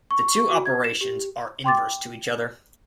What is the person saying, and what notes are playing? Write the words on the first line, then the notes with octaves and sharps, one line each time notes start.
The two operations are inverse to each other.
C#6
C#6
F#4
G#6
E7
G4
G5 C6 D6 A6